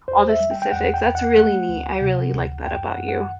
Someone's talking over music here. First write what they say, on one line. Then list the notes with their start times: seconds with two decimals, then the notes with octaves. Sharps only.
all the specifics. That's really neat. I really like that about you.
0.08 E2 C5
0.29 E5
0.40 G3
0.51 G5
0.62 G5
0.72 E2 F#5
0.94 G5
1.05 E2
1.15 F#5
1.37 A3 F#5
1.69 D2
2.01 C3
2.33 D2
2.65 F#2 G5
2.86 F#5
2.97 F#2
3.09 F#5